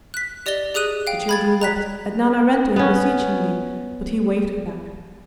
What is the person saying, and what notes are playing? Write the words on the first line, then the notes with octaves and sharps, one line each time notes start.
The children wept, and Nana ran to him beseechingly, but he waved her back.
F#6 B6
G4 D5 D#5 A6 G7
G4 G#4 D#6 F#6 D#7
F5 G5
B5 G#6 A6
A#5 F#6 B6
B3 C#4